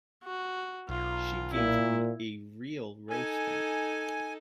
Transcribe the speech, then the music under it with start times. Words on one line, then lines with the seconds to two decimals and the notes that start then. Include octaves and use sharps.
She gave him a real roasting.
0.24 F#4
0.89 B1 F4
1.53 A#2 E4
3.10 D#4 A4 G#5